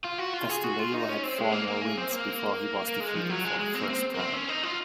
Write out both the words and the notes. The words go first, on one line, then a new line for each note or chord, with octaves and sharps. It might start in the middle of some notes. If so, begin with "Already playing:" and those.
Castillejo had four more wins, before he was defeated for the first time.
F4
F#4
F4
G#4
F#4
F4
D#4
C#4
C4
G#3
A#3
A#3
G#4
C4
A#3
A#3
G#3
F3
F#3
G#3
G#3
C4
A#3
C4
A#3
C4
C#4
D#4
F4